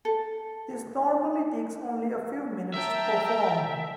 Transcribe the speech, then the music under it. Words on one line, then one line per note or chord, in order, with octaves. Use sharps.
This normally takes only a few minutes to perform.
A4
A#4 E5 G5 A5